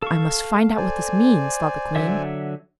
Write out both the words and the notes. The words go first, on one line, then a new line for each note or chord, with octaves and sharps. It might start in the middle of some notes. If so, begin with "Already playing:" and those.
'I must find out what this means,' thought the queen.
A4 F5 C#6
C5 D5 G#5
D3 F#3 E5